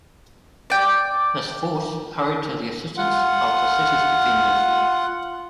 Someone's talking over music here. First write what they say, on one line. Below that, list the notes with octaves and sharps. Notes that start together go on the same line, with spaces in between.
This force hurried to the assistance of the city's defenders.
D5 G5
F4 F#5